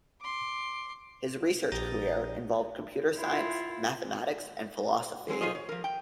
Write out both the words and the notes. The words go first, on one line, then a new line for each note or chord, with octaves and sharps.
His research career involved computer science, mathematics, and philosophy.
C6 D6
A#1 G4 A#5 D#6 G6 A6
E4 F4
F#3 G#3 C4 G#4
F#3 F4 G#4 C5 D#5
C#5
F3 A#4
G5